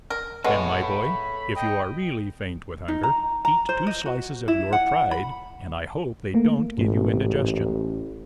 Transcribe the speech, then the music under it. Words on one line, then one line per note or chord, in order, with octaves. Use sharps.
"Then, my boy, if you are really faint with hunger, eat two slices of your pride; and I hope they don't give you indigestion."
A#4
G#3 B3 A4 C#5
B5
D#5 G5
D#4
A#5
A#5
C5
D#5
F#4
E4
F#5
B5
A3 A#3
A1 G#2